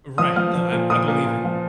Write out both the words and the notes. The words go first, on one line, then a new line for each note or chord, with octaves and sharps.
Right, no, I b I believe it,
F3 D#6
F3 F6
F3
A#2
A#2 D#6
A#2
A#2
F3